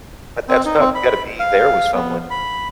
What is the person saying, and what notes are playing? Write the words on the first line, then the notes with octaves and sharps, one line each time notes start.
But that's tough, you gotta be there with someone.
C4
D#4
C4
B5
F5
B3
B5